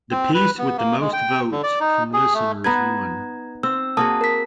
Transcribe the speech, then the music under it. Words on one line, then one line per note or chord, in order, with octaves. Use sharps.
The piece with the most votes from listeners won.
C4
B4
B3
A#3
G#3
G5
D3
D5
D#4
G#4
A3
B3 D#4 B4 A#5 G#6
C4 E6
A#3 F#4 G#4 A5 D#6
A#4 B6